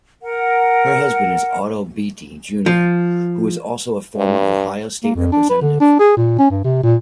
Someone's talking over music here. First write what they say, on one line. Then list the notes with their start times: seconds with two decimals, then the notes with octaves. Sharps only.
Her husband is Otto Beatty Junior who is also a former Ohio State Representative.
0.22 A#4 F#5
2.66 F3
4.17 G2
5.04 A#3
5.15 F2
5.32 D4
5.49 B4
5.61 D3
5.80 D4
5.99 G#4
6.17 A#2
6.39 C#4
6.50 G2
6.64 C3
6.83 A#2